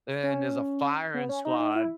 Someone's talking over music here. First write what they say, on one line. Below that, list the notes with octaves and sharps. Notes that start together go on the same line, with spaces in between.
and there's a firing squad
C#4
B3
C#4
D#4
D#4
E4